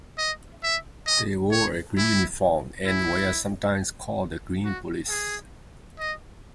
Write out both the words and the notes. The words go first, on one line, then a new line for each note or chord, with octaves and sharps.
They wore a green uniform, and were sometimes called the "Green Police".
D#5
E5
D#5
C#5
E4
E4
F#4
G#4
D#5